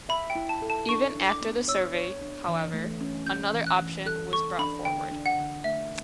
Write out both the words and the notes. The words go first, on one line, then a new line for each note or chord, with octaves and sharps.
Even after the survey, however, another option was brought forward.
E5 B5
G5
E4
A5
A4
A5
D4 C#6
D4
D6
B3
C#5 E6
C#5
D4
E3
A3
C#4
C#4 G6
E3
F#6
E3
A4 F#6
A4 C#6
D4 B5
D3 G5
D4
F#5
D3
A3 E5